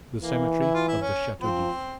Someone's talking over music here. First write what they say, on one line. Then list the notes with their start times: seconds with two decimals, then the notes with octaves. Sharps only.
The Cemetery of the Chateau D'If.
0.21 E3 A#3
0.61 E4
0.74 F4
0.88 E4
1.01 C#4
1.42 F3 C4